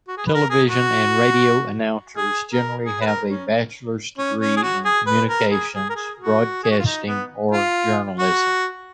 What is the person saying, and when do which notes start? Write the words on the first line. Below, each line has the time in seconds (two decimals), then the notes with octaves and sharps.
Television and radio announcers generally have a bachelor's degree in communications, broadcasting, or journalism.
0.08 F#4
0.17 G#4
0.27 B4
0.34 A#4
0.50 G#4
0.68 F#4
2.17 G#4
2.51 A#4
2.84 G#4
3.01 B4
3.06 A#4
3.29 C#4
4.18 C#4
4.40 C#4
4.57 G#4
4.62 F#4
4.85 G#4
5.07 B4
5.29 A#4
5.51 G#4
5.73 G#4
5.90 A#4
5.96 G#4
6.19 F#4
6.63 G#4
6.71 F#4
6.78 F4
6.85 D#4
7.07 B3
7.52 F4
8.19 F#4